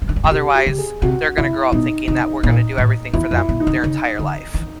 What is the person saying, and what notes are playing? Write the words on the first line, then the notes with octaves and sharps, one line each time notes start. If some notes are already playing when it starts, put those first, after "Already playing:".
otherwise, they're gonna grow up thinking that we're gonna do everything for them their entire life.
E3
D#3
D3
C#3
C3 G4
G4
C#3
G#4
C3 F#4
C3 E4
B2 D#4
C3 D#4
A#2
A2
E2 E4
F2
E4
B2
D#4
C3
C#3
D3
E3